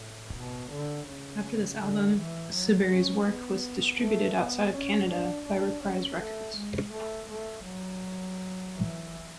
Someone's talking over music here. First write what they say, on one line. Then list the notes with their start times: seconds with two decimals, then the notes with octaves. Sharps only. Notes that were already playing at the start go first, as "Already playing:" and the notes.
After this album, Siberry's work was distributed outside of Canada by Reprise Records.
Already playing: A2
0.34 B2
0.70 D3
1.07 C#3
1.80 D3
2.17 E3
2.53 F#3
2.90 C#4
3.27 B3
4.00 A3
4.36 B3
4.72 C#4
5.09 D4
5.46 D4
5.82 C#4
6.18 A3
6.55 G#3
6.91 A3
7.28 A3
7.64 F#3
8.74 E3